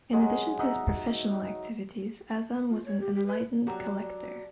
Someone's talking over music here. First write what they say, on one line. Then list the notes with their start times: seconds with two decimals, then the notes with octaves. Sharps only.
In addition to his professional activities, Azam was an enlightened collector.
0.13 F#3 G#3
0.59 D#4 F#4 D#5 E5
2.70 F4
2.85 C#5
3.00 G4
3.15 G4
3.27 B4
3.67 F#3 D4 F#4 G4 A#5